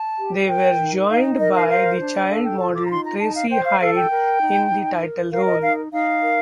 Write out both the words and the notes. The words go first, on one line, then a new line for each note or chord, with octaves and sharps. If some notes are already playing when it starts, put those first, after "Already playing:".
They were joined by the child model Tracy Hyde in the title role.
Already playing: A5
G4
A#4 G5
D#4
D#4 F5
A#4 D#5
F5
C5 F5
D4
A4 F5
G5
F4 A5
D6
A#5
D#4 C6
A#5
D#4 A5
F5
C5 G5
F5
A4 F5
G5
A#4
D#4
D#4
A#4
A#4 F5
D#5
D#4 F5
D#4 F5
A#4